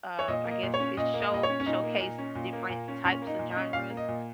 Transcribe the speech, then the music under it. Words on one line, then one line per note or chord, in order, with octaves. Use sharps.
um, I guess, it show showcase different types of genres
C#5
A#2 D#5
A#3
D#5
A#2
C#5
C#4
A#2 D#5
A#3
D#5
A#2 D#5
C#5
C#4
C#4
A#2 D#4
A#3
A#2
C#4
A#2
A#3
A#2
C#4
A#2 C#4
A#3 D#4
A#2
D#5
C#4
A#2 F5
A#3
D#5
A#2